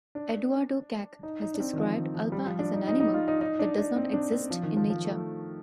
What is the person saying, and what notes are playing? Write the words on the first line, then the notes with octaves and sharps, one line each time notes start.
Eduardo Kac has described Alba as an animal that does not exist in nature.
D4
D#4
D#4
D4
C4
D#3
F3
D#3
F3
G3
F3
D4
D#4
D#4
D#4
F4
D#4
D#4
D4
D4
C4
D4
C4
F3
D#3
F3
F3
A3